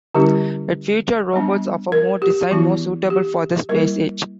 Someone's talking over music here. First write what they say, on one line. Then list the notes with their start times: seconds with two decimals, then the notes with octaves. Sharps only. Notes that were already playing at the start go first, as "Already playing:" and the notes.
It featured robots of a more design more suitable for the Space Age.
0.15 D3 G3 C#4 E4 G4
1.33 G3 B3 D4
1.92 A#4
2.22 G4
2.51 E3 B3 E4 F#4
3.10 G4
3.69 G3 A#3 E4 A#4